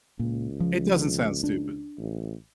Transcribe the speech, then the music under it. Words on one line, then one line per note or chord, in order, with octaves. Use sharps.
It doesn't sound stupid.
C#2 A#2
F3
D4
A1